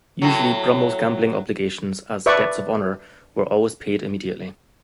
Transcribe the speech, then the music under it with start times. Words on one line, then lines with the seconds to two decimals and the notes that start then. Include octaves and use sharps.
Usually Brummell's gambling obligations, as "debts of honour", were always paid immediately.
0.22 A2 F#3
2.26 B4 D5 E5 C#6